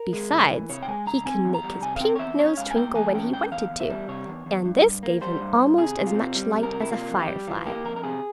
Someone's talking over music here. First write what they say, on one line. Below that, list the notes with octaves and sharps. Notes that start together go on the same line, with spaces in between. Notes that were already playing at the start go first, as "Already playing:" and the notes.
Besides, he could make his pink nose twinkle when he wanted to, and this gave almost as much light as a firefly.
Already playing: A#4
G#3
C#2
E3
C3 C#5
G5
G#3 G#5
C#2 A#5
C4 G#5
E2
A#5
G3
C3 G#5
F5
C4 G5
C#5
E2 E5
C#4 C#5
G#2 F5
G#5
A#3 G5
E3 G#5
C#4 G5
G#2 G5
E2 F5
E2
E5
G3
C3 C#5
E2
E2
G2
G2
A#3
G3 C5
G2
G2
C3 G#4
C3
F4
C4
G3
C3
A#4
C3
E4
A#3 F4
F2
G4
G3
E3 F4
A#3 G4
F2 A#4
A#4
C3 G#4